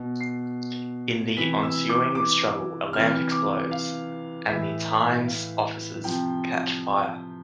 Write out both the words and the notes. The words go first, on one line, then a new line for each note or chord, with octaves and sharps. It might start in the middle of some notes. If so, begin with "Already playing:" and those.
In the ensuing struggle a lamp explodes and the "Times"' offices catch fire.
Already playing: B2
C7
C3 E3 B6
E6
D6
D6
C3 E3 F6
D6
F5
A2 E3 E5
F5
C3 F3 G5